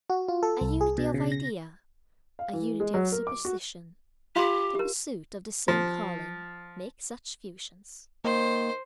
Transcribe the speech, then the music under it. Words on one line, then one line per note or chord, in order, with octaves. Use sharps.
A unity of idea, a unity of superstition, the pursuit of the same calling, make such fusions.
F#4
F4
A4
C2
G#4
B2
C#3
A#6
F5
E3
G#3
F#3
A#4
D6
F#4
F4 G4 F5 C6
G4 A#4
F3
D#3 A#3 C5